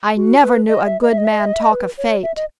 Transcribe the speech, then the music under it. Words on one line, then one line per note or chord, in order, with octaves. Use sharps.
I never knew a good man talk of fate.
F#4
B4
D#5
E5
D#5
E5
D#5
E5
D#5
E5
D#5
E5
D#5
B4
C#5
E5
D#5